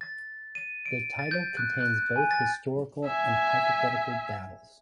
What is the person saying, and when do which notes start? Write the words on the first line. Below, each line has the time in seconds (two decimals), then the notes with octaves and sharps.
The title contains both historical and hypothetical battles.
0.01 A6
0.55 D#7
0.86 D7
1.19 A6
1.31 G6
1.57 F#6
1.80 F#6
2.16 G#5
2.31 A6
3.05 E5 G#5